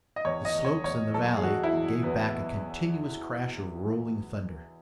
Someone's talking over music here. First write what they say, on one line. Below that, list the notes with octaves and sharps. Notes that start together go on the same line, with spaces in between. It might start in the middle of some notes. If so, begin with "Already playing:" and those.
The slopes and the valley gave back a continuous crash of rolling thunder.
D#5
E2 C#5
D#5
E2
C#5
E2 C#5
F#3 A4
G#4
E2 F#4
E4
E2
E2 B3